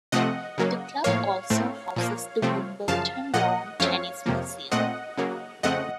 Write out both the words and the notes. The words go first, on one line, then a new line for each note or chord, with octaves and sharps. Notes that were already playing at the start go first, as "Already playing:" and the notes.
The Club also houses the Wimbledon Lawn Tennis Museum.
C3 F3 A3 C4 D#5 F#5
C#3 F#3 A#3
A2 F3 A#3 C#5 F5
A2 A3 C4
A#2 F3 A#3
C3 F3 A3 C4
F#2 C#3 F3 F5 A5
A#2 F3 A#3 D#5 F#5
F#2 F3 A3 C4 C#5 F5
F2 C3 F3 A#3
A#2 A3 C4 D#5 F#5
C#3 F#3 A#3
F2 C#3 A3 C4 D#5 F#5